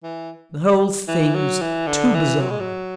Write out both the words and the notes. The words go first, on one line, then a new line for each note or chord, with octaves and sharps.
"The whole thing's too bizarre."
E3
E3
F#3
E3
D3
E3
F#3
G#3
F#3